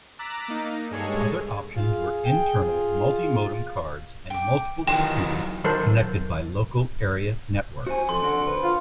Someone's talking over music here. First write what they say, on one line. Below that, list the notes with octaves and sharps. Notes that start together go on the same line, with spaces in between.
Other options were internal multi-modem cards and multiple computers connected by local area network.
A#5 D6 E6 F#6 A6 B6
A#3 D#4
G2 G#3 G#4 A4 C#5 G#5
F4 G#4
G5
F4
G5 D6
D#3 E3 F#3 C5 G5
D#3 F#3 A4 A#4 C5
F#4 C5 G#5
F2 A4 C6
D3 F#4
B4 C5
F4